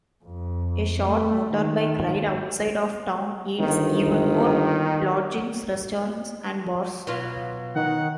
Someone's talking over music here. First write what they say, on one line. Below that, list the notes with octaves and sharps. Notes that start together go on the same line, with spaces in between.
A short motorbike ride outside of town yields even more lodgings, restaurants and bars.
F2
A3
D#3
G1 D#3
B2 F#3 F4
D#3 F#5